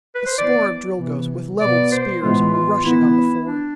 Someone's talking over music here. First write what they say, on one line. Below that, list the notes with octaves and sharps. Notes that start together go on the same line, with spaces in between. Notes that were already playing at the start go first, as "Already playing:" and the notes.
A score of Drilgoes, with leveled spears, were rushing on the four.
B4
C5
E3 B3 D5
C3 E3 B3
B2 B3 D5
C5
A2 E3 G#3 B3 F4
F4
E3 B3 E4
D4